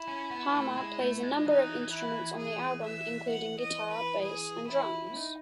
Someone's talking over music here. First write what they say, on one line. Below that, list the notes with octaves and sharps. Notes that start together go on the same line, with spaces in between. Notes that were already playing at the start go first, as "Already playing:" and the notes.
Harmer plays a number of instruments on the album, including guitar, bass, and drums.
Already playing: E4
C#4
B3
A3
G#3
A3
G#3
E3 D#4
E4
G#4
E5
F#5
D#5
B4
G#4
E4
D#4